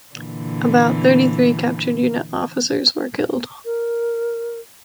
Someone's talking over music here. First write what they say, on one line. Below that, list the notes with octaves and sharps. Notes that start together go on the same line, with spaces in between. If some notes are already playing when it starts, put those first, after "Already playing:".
Around thirty-three captured unit officers were killed.
A#2 D3 E3
A#4